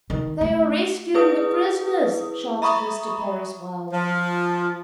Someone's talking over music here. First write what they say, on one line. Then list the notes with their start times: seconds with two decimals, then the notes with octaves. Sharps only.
"They are rescuing the prisoners," shouted Mr. Parris, wildly.
0.10 D#3
0.41 A3
1.14 E4 G#4 B4 D#6
2.62 E5 A#5 B5 C#6 D#6
3.92 F3